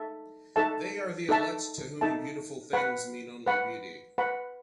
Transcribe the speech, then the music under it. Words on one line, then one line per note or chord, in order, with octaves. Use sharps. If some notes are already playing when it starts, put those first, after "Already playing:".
They are the elect to whom beautiful things mean only beauty.
Already playing: D#4 A4 E5
D#4 A4 E5 A5
D#4 A4 E5 A5
D#4 A4 E5 A5
B4 F#5 B5
B4 F#5 B5
B4 F#5 B5